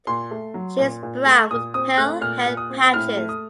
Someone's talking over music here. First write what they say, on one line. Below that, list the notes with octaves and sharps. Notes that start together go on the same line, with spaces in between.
She is brown with pale head patches.
A#2 C6
A3
F#3
A#2
A#2
A3
A#2 D#6
C4 D#6
A3 F#6
A#2 F6
A#2
D#6
C4
A2 F6
A3
D#6